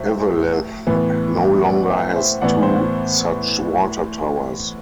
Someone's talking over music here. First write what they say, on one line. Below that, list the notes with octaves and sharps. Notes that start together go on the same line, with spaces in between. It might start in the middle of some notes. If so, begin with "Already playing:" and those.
Eveleth no longer has two such water towers.
Already playing: A2 F#3 A3 C5 E5
A2 E3 B3
D5 F#5
E5 G5
C5 E5
A2 E3 B3 D5 F#5
C5